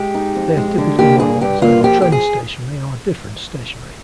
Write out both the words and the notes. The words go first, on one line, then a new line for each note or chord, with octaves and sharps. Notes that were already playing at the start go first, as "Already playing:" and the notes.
They are typically modelled as either trend stationary or difference stationary.
Already playing: G#3 G4
D#4
F2
G#3
D3
A#3 G4
G2 G#4
G2 G4
A#3 F4
F3 G4
F3 G4
G#4